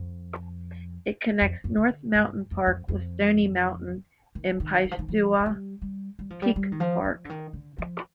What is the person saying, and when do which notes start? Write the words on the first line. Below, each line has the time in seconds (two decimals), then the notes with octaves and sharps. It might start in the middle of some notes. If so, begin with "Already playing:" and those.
It connects North Mountain Park with Stony Mountain and Piestewa Peak Park.
Already playing: F2
1.41 F2
1.64 F2
1.78 D3
2.15 G2
2.51 F2
2.67 F2
2.88 F2
4.35 D#3
4.60 D#3
4.85 D#3
4.91 F3
4.99 D#3
5.08 F3
5.40 F3
5.46 G3
5.82 G3
6.19 G3
6.30 F3
6.42 G3
6.56 G3
6.72 D#3
6.80 F3
7.05 F3
7.25 D3
7.29 D#3
7.53 D3
7.78 F3